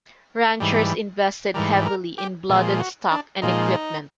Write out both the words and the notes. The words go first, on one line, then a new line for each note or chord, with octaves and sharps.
Ranchers invested heavily in blooded stock and equipment.
G#2 E3 G3
G#2 E3 G3 A#4
A#4
G4
A#2 F3 G#3
F#4
D4
A#2 F3 G#3 D#4